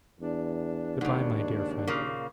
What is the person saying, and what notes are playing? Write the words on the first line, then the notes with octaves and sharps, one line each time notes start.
Good-bye, my dear friend.
E2 D4
D#2 G#2 C#3
A#2 C#3 A#3